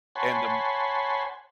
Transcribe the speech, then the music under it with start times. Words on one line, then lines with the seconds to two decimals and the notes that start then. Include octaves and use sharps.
and, um
0.15 C#5 F#5 G#5 A5 B5 C6